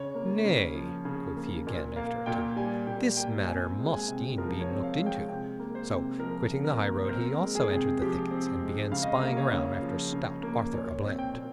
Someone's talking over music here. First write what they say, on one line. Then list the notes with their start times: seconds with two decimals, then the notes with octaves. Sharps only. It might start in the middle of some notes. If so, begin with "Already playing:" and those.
"Nay," quoth he again, after a time, "this matter must e'en be looked into." So, quitting the highroad, he also entered the thickets, and began spying around after stout Arthur a Bland.
Already playing: C#3 C#5
0.15 A#3
0.45 C#3
0.75 F3
1.05 C#3
1.36 A#3
1.67 A#2
1.96 A#3 F5
2.26 A#2 G5
2.56 G3 G#5
2.87 A#2 G5
3.17 A#3 G5
3.47 C4 G#5
3.78 G#3
3.93 G#5
4.08 C3
4.38 F3 A#4
4.60 C#5
4.69 C4
4.83 F5
4.99 G#3
5.06 G5
5.28 C3 G5
5.59 A#3
5.75 C5
5.90 C3
6.19 F3 A#4
6.50 C3
6.64 A#4
6.80 A#3
7.05 C5
7.10 C4 A#4
7.40 G#3
7.55 G#4
7.71 C3
8.01 F3 G4
8.31 C4
8.61 G#3
8.92 C#3 F5
9.03 D#5
9.15 F5
9.22 A#3
9.37 C#5
9.52 C#3
9.82 F3
10.12 C#3
10.43 A#3
10.74 A#2 C#5
11.03 C4
11.19 G5
11.33 A#2